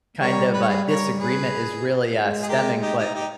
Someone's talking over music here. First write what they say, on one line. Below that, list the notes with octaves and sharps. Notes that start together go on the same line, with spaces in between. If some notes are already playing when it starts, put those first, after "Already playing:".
kind of, uh, disagreement is really, uh, stemming. But
G3 A#4 C#5
B4
C#5
G#4 B4
A#4 C#5
G#4 B4
G#3
G#4
G4 A#4
D#4 G4
D#4 G4
D#4 G4